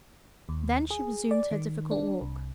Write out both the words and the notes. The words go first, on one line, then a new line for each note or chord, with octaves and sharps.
Then she resumed her difficult walk.
D#2
G#4
D5
D#3
D4
C2